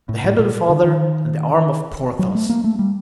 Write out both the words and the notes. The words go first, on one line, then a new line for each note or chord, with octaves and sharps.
The head of the father, and the arm of Porthos.
A2
A2
A#2
D3
D#3
F#3
A3
A#3
A3
G3